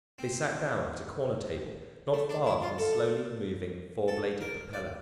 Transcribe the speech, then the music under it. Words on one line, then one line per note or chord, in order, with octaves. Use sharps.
They sat down at a corner table not far from the slowly moving four-bladed propeller.
C4
A3
D4
E4
F4
A4
A4
A#4
D5